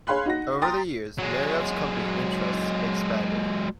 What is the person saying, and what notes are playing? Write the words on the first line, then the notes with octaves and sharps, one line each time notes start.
Over the years, Marriott's company interests expanded.
G#4 C#5 F5 B5 C6 F#6
D#4 F#4 A#6
G5 A#5 C6 D#6 A6
F#3 G#3